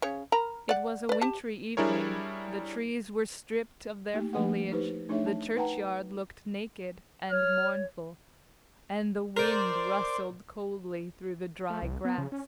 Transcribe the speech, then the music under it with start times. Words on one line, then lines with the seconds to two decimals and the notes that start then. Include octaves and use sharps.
It was a wintry evening: the trees were stripped of their foliage, the churchyard looked naked and mournful, and the wind rustled coldly through the dry grass.
0.02 C#3 C#5
0.32 A#4 A#5 B5
0.69 D5 F#5
1.09 B4 D5
1.21 G4 A5
1.77 G3 D4 E4 G#4 A#4 C#5
4.14 A3 A#3 D#4 G4
4.33 F3 A3 A#3 D4 B4 F#5
4.72 D#4 G4 B4 C5
5.09 A3 D4 D#4 G#4 C#5 E5
5.26 A5
5.56 D#4 B4 F#5 G5 A5 A#5
7.31 C#5 F6
9.37 A#4 C5 D5
11.70 A3
11.82 C2
12.05 B3
12.18 C#3
12.32 C#4